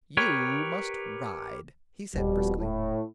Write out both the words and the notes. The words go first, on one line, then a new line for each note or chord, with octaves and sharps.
"You must ride," he said, briskly.
G4 A#4 B4 C#5
D#1 F2 B2 G3 C#4
A2